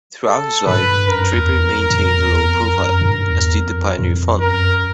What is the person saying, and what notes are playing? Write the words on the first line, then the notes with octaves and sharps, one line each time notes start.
Throughout his life, Draper maintained a low profile, as did the Pioneer Fund.
A4
G2 B4
F#2 A#4
E2
F2
F2
E2
F2
F#2
G2
E2
F2
F2
F#2 A#4